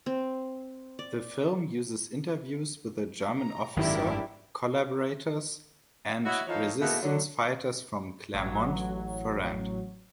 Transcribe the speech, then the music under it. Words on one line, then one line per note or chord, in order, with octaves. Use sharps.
The film uses interviews with a German officer, collaborators, and resistance fighters from Clermont-Ferrand.
C4
D5
A#5
G#1 F#2 D#3 D4 E4 G4
E4 F#4 C#5 D#5 E5
E3 F3 D#4 A4 C#5 F5
E2 B2 A3 A#3
D3 F#3
A1 F#3